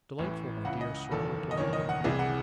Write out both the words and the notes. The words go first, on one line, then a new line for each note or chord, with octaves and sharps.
'Delightful, my dear Sir,' replied the little man.
A1 A2 E3
C#2 C#3 E3 F#5
D#5
F#1 E2 D#3 A4
D#5
F#1 E2 D#3 C#5
D#5
F#5
C2 C3 E3 G#4
F#5